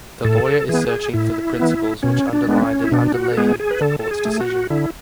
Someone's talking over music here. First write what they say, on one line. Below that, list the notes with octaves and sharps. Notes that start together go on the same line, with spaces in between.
The lawyer is searching for the principles which underlined and underlay the court's decision.
A2 A4
E3 B3 G#4
A2 E4
E3 B3
B2 C#4
D4
G#3 B3
C#4
E4
B2 D4
F#4
A4
G#3 B3 G#4
G#4
B4
D3 A4
A4
G#4
A3
F#4
D3 E4